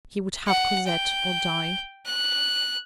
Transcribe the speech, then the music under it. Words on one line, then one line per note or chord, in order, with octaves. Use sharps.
He would have Cosette or die.
F#5
G5
F#6